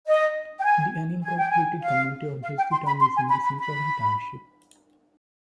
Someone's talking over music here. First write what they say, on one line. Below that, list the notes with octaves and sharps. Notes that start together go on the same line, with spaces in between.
The unincorporated community of Jerseytown is in the center of the township.
D#5
G5
G#5
G#5
G5
G#5
F5
F5
G5
C6
B5
C6
G#5
B5
B5
B5